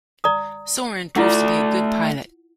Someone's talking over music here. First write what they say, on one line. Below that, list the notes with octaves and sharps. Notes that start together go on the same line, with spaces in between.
Soren proves to be a good pilot.
D5 A#5 D#6
A3 E4 F4 D5 F#5